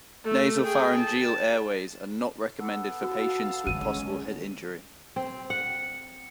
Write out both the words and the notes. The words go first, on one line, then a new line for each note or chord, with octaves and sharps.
Nasal pharyngeal airways are not recommended for patients with possible head injury.
A3
G#4 G5
A5
B3 A4
F#4 F5 A5
D3 G#3 C#4 D4 D#7
C4
F#5